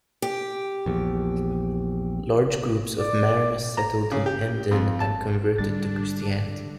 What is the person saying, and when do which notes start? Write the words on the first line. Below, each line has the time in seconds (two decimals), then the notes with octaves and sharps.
Large groups of Marranos settled in Emden and converted to Christianity.
0.22 G4
0.86 A#1 E2
2.99 D5
3.77 A#5
4.12 C#3
4.26 G4
4.71 F2
5.00 A5
5.58 G#2 D3 G3 D4 A6